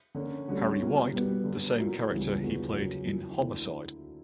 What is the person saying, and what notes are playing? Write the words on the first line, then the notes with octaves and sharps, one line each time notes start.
Harry White - the same character he played in "Homicide".
D3 A#3 C#4
D2 D3 G3 C#4
B2 A#3 E4
B2 G3 B3
F#2 D3 F#3
A#2 F#3 A#3 E4
C#2 C#3 E3 G3 B3
E2 D3 F#3 B3 F#4
F#2 C#3 F#3 A#3
F#2 E3 A#3 E4
D2 D3 A#3 E4